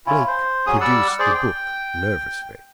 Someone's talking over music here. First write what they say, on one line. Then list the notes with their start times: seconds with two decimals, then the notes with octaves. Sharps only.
Blake produced the book nervously.
0.06 C#4 E4 F4
0.28 C5
0.66 F#3 C#4 G#4 D#6
0.81 G3 D5 F#5 E6
1.19 G#4 C5 D5
1.35 G5